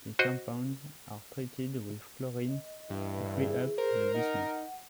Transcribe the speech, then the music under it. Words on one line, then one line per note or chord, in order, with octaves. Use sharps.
The compounds are treated with chlorine to free up the bismuth.
F#4 C5 D#5
D#5
G2 E3
G#4
A#4 C5
D#4 F#5